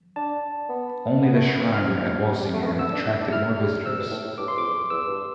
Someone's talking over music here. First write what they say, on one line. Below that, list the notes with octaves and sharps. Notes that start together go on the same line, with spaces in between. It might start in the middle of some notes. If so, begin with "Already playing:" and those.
Only the shrine at Walsingham attracted more visitors.
D4 A5
B3
B3
A3
B3
F6
F3
G3
F3
F3
G3
G3
A3
B3
A3
B3 E6
D4
E4
D4
E4 F6
G3
C3 E6
B2
A2
A2
G2 D6
C6
F2 D6
E2
E2 E6
G2